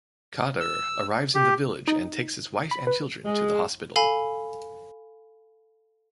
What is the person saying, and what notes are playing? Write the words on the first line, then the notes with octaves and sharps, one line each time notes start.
Qader arrives in the village and takes his wife and children to the hospital.
E6
G4
D#4
B5
B4
G#3
A4 F5 G#5 B5